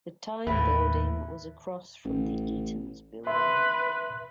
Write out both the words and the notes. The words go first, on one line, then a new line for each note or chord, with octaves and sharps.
The "Time Building" was across from the Eaton's building.
D#2 A2 B4 E5
A1
B4 E5 C6